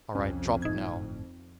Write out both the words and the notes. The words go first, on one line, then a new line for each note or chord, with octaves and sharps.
All right, drop it now.
C2 F2 C#4
G1 A2 D#4 G#6